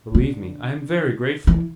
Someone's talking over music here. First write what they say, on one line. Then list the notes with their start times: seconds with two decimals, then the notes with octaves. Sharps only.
Believe me, I am very grateful.
0.15 D3
1.47 E3